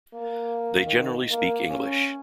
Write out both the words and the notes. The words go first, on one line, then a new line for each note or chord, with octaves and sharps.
They generally speak English.
A#3
D#3
A#3
C#4